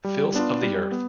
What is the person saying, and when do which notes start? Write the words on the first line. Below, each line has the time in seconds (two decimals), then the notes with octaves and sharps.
Filth of the earth!
0.04 G3
0.34 B3 D4 F4
0.63 G3
0.92 B3